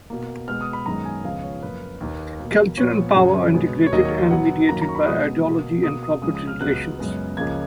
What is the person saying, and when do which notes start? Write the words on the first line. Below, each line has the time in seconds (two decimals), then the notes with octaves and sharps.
Culture and power are integrated, and mediated by ideology and property relations.
0.10 B2 A#3
0.48 B2 G#3 B3 F6
0.61 D#6
0.73 B5
0.86 F#2 D#3 G#3 B3 A#5
1.05 G#5
1.24 C#2 C#3 F3 G#3 B3 F5
1.43 C#5
1.62 F#2 F3 A#3 B4
2.01 D#2 D#3 A#3
2.39 B2 A#3
2.77 A#2 F3 B3 C#5
3.16 F#2 C#3 F#3
3.54 B2 G#3 B3
3.86 C#5
3.92 D#2 D#3 F#3 A#3 D#5
4.05 C#5
4.18 D#5
4.31 B2 F#3 B3 F#5
4.69 F#2 D#3 F#3 A#3 A#5
4.82 A#5
4.89 C#6
4.95 B5
5.07 B2 G#3 B3 D#6
5.45 B2 A#3
5.83 B2 A#3 D#6
6.03 D#6
6.22 C#2 C#3 F3 G#3 D#6
6.35 D#6
6.47 F6
6.60 C#2 C#3 F#3 B3 F#6
6.99 F#2 C#3 G#3 B3
7.37 C#2 C#3 F3 A#3 G#6